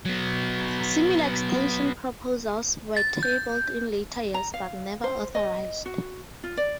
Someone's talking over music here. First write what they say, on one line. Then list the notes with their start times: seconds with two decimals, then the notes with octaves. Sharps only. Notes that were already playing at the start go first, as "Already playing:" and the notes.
Similar extension proposals were tabled in later years, but never authorised.
0.05 F#3 B3
2.97 A6
3.23 G6
4.34 A#5
4.54 F5
5.04 C5
5.35 D#5
5.86 F#4
6.44 F4
6.57 D5